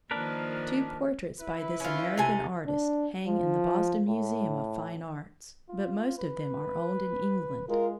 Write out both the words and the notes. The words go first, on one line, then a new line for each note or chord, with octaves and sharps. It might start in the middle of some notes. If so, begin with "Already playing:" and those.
Two portraits by this American artist hang in the Boston Museum of Fine Arts, but most of them are owned in England.
D#3 F3 A#3 D4 A#4 B4
E4 B4
C#4 F4
C3 A4 G#5
D4
F3
A2
F4
B4
G#3 F4 A#4